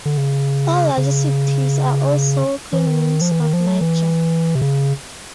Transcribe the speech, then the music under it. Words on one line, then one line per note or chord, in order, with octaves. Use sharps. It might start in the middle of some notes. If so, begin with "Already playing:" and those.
All larger cities are also Communes of Niger.
D3
C#3
C#3
E3
D#3
F3
E3
D#3
F3
F#3
E3
C3
C#3